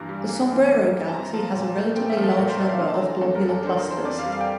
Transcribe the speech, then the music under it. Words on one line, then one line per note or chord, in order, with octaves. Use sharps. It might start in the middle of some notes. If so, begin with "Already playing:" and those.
The Sombrero Galaxy has a relatively large number of globular clusters.
Already playing: G2 E3 A#3 A#5
G3
A#3
E3
G2
G3
A5
C4 A#5
F3 A5
A#2
A3
C4 G5
E5
F3
A4
A#2 A#4
C5
A3 D5
F5
D4 C6
A5
A#5
E3
F2 A4
A#4
G3
A4
D4 C5
A#4
E3
C5
F2 D5
F5
G3
F5
G5